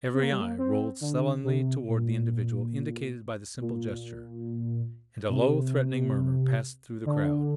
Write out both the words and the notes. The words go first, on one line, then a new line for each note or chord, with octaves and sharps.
Every eye rolled sullenly toward the individual indicated by the simple gesture, and a low, threatening murmur passed through the crowd.
C4
A#3
G3
A#3
C4
D3
C3
A#2
A#2
A#2
C3
D3